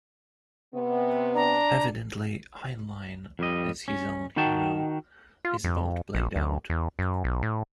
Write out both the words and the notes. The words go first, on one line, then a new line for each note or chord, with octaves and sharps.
Evidently, Heinlein as his own hero is about played out.
C3 B3
D4 A#5
F2 G3 D#5
C#4
D#3 D#4 F#4 G5 A5
F4
F2
A#1
D2
E2
F#2
B1
A2